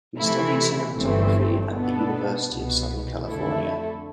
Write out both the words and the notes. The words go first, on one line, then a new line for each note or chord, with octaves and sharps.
He studied cinematography at the University of Southern California.
C3 E3 A3 E4
G1 G2 E3 A3 C4
B2 B3 D4 A4
C2 B2 B3
F2 D3 A3 E4 A4